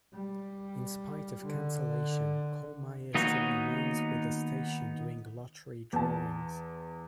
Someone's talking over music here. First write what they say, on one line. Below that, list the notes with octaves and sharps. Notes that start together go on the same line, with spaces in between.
In spite of cancellation, Kollmeyer still remains with the station doing lottery drawings.
G3
D3
D#3 A#3 B3 D#4 F#4 C#5
E2 A5